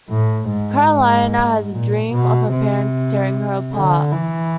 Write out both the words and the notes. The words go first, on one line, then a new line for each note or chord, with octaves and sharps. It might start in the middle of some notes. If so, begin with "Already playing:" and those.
Karolina has a dream of her parents tearing her apart.
A2
G#2
A#2
B2
C3
D3
E3